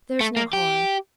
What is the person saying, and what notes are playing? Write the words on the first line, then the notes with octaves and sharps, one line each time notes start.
'There's no harm.
A3
A#3
G4